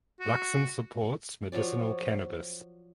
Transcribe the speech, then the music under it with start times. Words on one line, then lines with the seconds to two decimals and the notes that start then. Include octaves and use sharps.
Luxon supports medicinal cannabis.
0.20 F#4
1.52 F3 F#3 C#5 D5